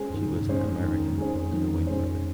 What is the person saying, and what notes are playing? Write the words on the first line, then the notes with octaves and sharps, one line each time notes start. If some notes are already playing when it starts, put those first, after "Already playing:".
She was an American, a New Englander.
Already playing: G#3 C#4 G#4 C5
F2
G2 D#3
C3
A#2
G#2
G2 G#3 C#4 G#4 C5
F2 D#3
F2
F2 G#3 C#4 G#4 C5
F2
D#3
G#3 C#4 G#4 C5